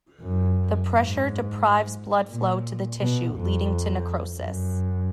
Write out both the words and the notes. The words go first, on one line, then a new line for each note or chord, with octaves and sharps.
The pressure deprives blood flow to the tissue, leading to necrosis.
F#2
G#2
A#2
B2
F2
F#2